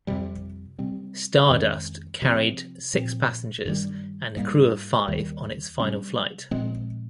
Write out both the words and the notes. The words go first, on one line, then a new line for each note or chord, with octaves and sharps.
"Star Dust" carried six passengers and a crew of five on its final flight.
F2 C3 G3
C3 G3 C4
F2 D#3 G#3 C#4
C3 F3 C4
A#2 F3 C4
G2 D#3 G3
G#2 G3 A#3
D#2 D#3 G3
C3 G3 C#4
A#2 F3 G#3 C4